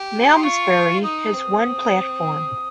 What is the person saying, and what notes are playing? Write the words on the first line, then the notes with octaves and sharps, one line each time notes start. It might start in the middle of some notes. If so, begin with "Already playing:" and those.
Malmsbury has one platform.
Already playing: G4
C6
F4 C#6
D#4 D#6
C4